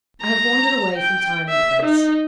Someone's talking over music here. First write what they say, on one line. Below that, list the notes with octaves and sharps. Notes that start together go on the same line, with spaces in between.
I have wandered away from time and place.
A#5
G5
E5
D#4